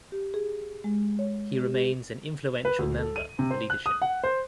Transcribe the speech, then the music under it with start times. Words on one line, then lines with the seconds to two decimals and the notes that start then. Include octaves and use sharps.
He remains an influential member of the leadership.
0.12 G4
0.34 G#4
0.84 G#3
1.19 C#5
1.60 G4
1.75 G4
2.65 B4
2.79 D2
2.99 A4
3.16 D#7
3.39 C3
3.51 C5
3.70 F#6
3.86 D#6
4.02 F#5
4.24 C5